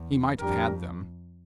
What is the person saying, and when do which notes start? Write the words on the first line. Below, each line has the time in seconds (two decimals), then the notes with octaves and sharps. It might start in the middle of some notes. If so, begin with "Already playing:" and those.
He might have had them.
Already playing: E2
0.39 F2 G3 D4 G4 A#4